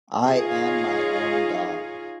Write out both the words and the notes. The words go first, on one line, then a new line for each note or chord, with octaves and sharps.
I am my own dog.
D#4 F4 G#4 C#5 D#5 F5